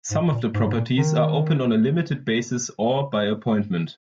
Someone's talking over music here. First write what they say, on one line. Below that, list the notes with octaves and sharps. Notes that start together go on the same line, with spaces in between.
Some of the properties are open on a limited basis or by appointment.
G#2
A#2
G#2
G#2
A#2
D#3